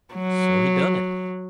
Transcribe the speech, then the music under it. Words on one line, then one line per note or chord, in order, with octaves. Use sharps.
So he done it.
F#3